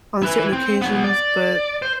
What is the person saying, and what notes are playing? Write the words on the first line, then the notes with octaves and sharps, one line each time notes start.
on certain occasions, but
E4 B4
C4
F#3 B3
D5
C5